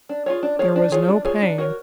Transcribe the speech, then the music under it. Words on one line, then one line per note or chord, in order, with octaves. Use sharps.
There was no pain.
D4
F4 G#4 C#5
D4
F4 G#4 C#5
D4
F4 G#4 C#5
D4
F4 G#4 C#5
D4
F#4 A#4 C#5